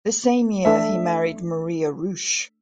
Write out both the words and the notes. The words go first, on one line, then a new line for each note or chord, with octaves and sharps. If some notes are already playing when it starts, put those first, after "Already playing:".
The same year he married Maria Rusch.
A3 D4 A4 E5